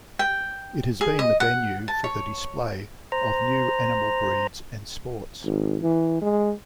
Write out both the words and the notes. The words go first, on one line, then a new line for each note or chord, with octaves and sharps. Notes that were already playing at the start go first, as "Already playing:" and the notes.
It has been the venue for the display of new animal breeds and sports.
G5
G#4
D#5
F#5
A5
C#5
C5 A#5
G#1
E3
G#3